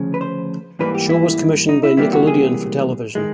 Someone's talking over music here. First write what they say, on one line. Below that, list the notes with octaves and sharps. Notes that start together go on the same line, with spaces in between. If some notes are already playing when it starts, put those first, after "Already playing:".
Show was commissioned by Nickelodeon for television.
Already playing: D2 C#3 F3
B4
C5
G#2 E3 G3 A#3 B4
G4
E4
D#4
E4
C#2 C3 E3 G3 A#3 E4
F#4
G#4
D#3 G#3